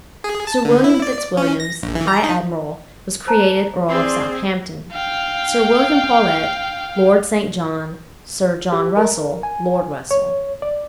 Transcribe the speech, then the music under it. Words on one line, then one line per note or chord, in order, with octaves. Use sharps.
Sir William Fitz-Williams, high admiral, was created earl of Southampton; Sir William Paulet, Lord St. John; Sir John Russel, Lord Russel.
G#4
A5
D3
E4
D5
C#4
A#6
A#1
E3
A#5
D#4
C5 A5 A#5
C4 G#4 D5 C6
F5 G5
G4
A#4
G#5
C#5
D5